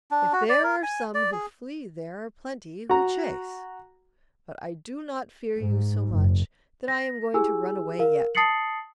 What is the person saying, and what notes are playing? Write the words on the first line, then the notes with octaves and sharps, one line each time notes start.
If there are some who flee there are plenty who chase, but I do not fear you so much that I am going to run away yet.
D4
F#4
D5
A#4
G#5
D5
G#4
F#4 A#5
G#2
F#1
A#6
E4 G4 G#4 G#5 E6
A#4 F5
A5 D#6 A6 C7 C#7 F#7